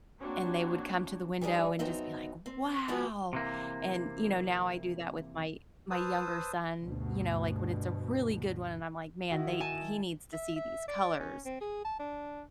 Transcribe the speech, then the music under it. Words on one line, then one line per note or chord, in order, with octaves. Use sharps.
and they would come to the window and just be like, "Wow!" and, you know, now I do that with my my younger son, you know, like, when it's a really good one and I'm like, "Man, they he needs to see these colors."
A#3 C4 D4 F#4 C#5
E3 G3 D4 D#4 G#4
F#2 B3 C4 D#4 E5
C4
F3 G#3 B3 E4 F#4 B4
C3 E3 A#3
B4 C5 A5 D#6 E6
D2 G2 B2
D#3 E4 F#4
G#5 A5
E5
E5
D5
C#4
C4
G#4
A5
D4